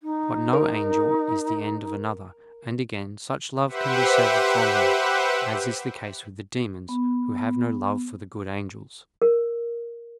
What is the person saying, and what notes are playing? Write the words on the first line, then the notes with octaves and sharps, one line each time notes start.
But no angel is the end of another; and again, such love can be severed from him, as is the case with the demons, who have no love for the good angels.
D#4
A#4
G4 B4 C5 E5 F#5
B3
A#4